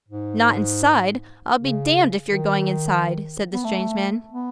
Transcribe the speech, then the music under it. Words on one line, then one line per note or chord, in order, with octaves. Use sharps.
'Not inside--I'll be damned if you're going inside,' said the strange man.
G#2
C#3
D#3
B3
A3
B3